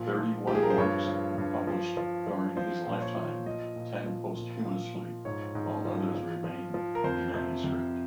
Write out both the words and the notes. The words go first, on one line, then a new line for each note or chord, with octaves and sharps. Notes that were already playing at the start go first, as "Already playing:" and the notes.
Thirty-one works were published during his lifetime, ten posthumously while others remain in manuscript.
Already playing: A#2 F3
F3
F3 G4
G#4
A#4
C5
G2 C#5
F3
G2
F3
F3
F3
F3 C5
A#2
C#5
F3
F3 D#5
A#2
F3
A#2
F3
F3
G#2 C#5
G#2
F3
F3
F3
F3
A#4
F2 C5
C3
F2